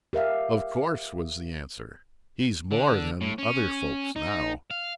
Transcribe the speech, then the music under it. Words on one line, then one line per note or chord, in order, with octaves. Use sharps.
"Of course," was the answer: "he's more than other folks now."
G4 A#4 E5 F5
D3
A2
C#4
D#4
F5